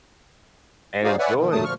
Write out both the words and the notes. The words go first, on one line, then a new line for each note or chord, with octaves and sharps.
And enjoyed.
D#4 F#4 G#4 C5 D5 F5
B4 C#5 D5 E5 F#5 G#5
B2 D#3
A#2 F#3 A3 A5 D#6
D2 A#2 F3 C#6 F6